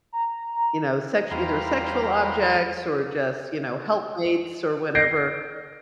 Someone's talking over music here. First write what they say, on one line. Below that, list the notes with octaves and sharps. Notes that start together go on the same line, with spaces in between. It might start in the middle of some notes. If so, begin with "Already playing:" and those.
you know, sexu either sexual objects, or just, you know, helpmates, or whatever,
A#5
E2 G3 B4 C5 F5 A#5
G6 A#6 C7 D7